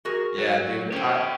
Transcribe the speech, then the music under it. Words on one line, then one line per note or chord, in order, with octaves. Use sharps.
Yeah, dude, I
F#4 G#4 A#4
F#3
C#4 G4 C5 C#5